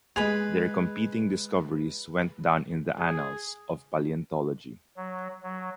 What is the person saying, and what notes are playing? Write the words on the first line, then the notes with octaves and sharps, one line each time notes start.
Their competing discoveries went down in the annals of paleontology.
G#3 G#4 B4 B5 F7
G#4
F#3
F#3